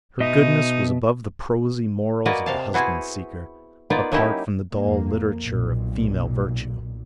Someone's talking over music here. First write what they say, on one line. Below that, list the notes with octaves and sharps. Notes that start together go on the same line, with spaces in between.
Her goodness was above the prosy morals of the husband-seeker, apart from the dull literature of female virtue.
B2 D#4 D#5 E5
A#3 F#4 B4 D5 D#5 G#5
C3 F5 A5
B3 E4 F#4 G#4 C5 G#5
A#3 B3 D#4 F4 B4 D5
F#3 A#3 C#4 D#4 E4 G4
F2 A#3
B1 A#2